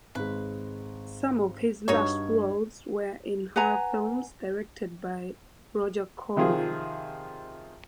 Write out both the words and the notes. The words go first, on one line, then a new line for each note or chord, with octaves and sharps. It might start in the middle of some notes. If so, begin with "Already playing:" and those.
Some of his last roles were in horror films directed by Roger Corman.
G#1 G#3 B4
G2 D#4 F#4 C#5
B4 F#5 G#5 A#5
C3 D#3 F3 F4 G#4